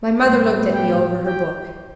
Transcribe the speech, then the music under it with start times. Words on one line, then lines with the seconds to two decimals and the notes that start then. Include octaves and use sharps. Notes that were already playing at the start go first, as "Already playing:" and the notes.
My mother looked at me over her book.
0.21 A2 G3 B3 C4 C5
0.73 G4 G5
1.26 G4 G5